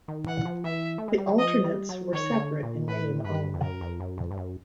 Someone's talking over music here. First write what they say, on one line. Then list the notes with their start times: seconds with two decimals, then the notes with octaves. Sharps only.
The Alternates were separate in name only.
0.08 D#3
0.27 E3 F#5
0.45 F3
0.64 E3 E5
0.98 A3
1.08 G#3
1.18 G3
1.29 F#3
1.39 F3 D#5
1.64 G3
1.89 F#3
2.13 D#3 C#5
2.31 C#3
2.38 D3
2.63 A#2
2.88 A2 B4
3.24 G2 B4
3.54 F2
3.62 F#2 A#4
3.81 F2
4.00 F#2
4.18 F2
4.31 G2
4.37 F#2